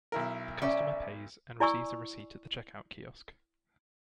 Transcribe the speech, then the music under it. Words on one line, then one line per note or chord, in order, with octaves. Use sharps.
The customer pays and receives a receipt at the checkout kiosk.
B1 E4 A#4
C#4 D5 E5
E4 D5 G#5 C#6 E6